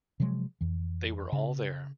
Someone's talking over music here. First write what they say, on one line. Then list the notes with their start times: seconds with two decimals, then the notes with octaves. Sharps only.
They were all there.
0.20 C3 F3 F#3 G#3
0.61 F2 E3
1.32 C#3